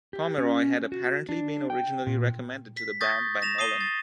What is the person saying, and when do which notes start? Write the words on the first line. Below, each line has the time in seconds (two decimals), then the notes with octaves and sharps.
Pomeroy had apparently been originally recommended to the band by Nolan.
0.13 G4
0.38 C#4
0.92 F#4
1.29 D4
1.70 G5
2.07 A#2
2.77 B6
3.01 C#6 D#6 G6 A6 A#6
3.42 A#6 E7 F7
3.58 D#6 C7 D#7 G7
3.81 A6